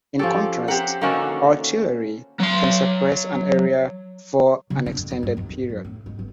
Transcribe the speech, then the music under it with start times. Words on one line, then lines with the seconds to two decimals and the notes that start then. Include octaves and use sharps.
In contrast, artillery can suppress an area for an extended period.
0.19 F3 C#4 G4 A4
0.68 C4 G4 A#4 F#5
1.01 D3 D#3 A#3 C#4 F#4 A4
2.40 F#3 C6
4.70 C#3
4.86 D4
4.98 F2
5.11 D#4
5.23 G2
5.37 D#2
5.49 G#1
5.69 F#2
5.85 A2
6.06 G#2
6.19 G1